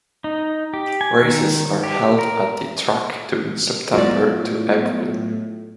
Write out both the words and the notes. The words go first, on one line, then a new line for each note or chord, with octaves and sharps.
Races are held at the track during September to April.
D#4
G4
G#5
D#3
G4
A#4
A2 F#3 B3 F4 F#4 D5